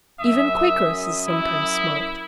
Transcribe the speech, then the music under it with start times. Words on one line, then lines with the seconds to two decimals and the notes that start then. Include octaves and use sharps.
Even Quakeresses sometimes smoked.
0.19 F#2 E5 D#6
1.28 E4